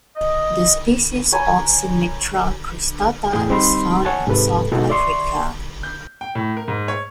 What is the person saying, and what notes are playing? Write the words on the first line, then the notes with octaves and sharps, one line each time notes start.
The species "Oxymitra cristata" is found in South Africa.
D#5
C#5 G#5 A#5 B5
E2 A2 G#4 G5
G3 C4 D#4 B5 C6
C#5 F#5 G#5 A5
G#2 C3 A4 B4
B2 G#3 D#4 F#4 A4
D5 E5 C6 C#6
G6
G5
A2
A#4
G#2
C#5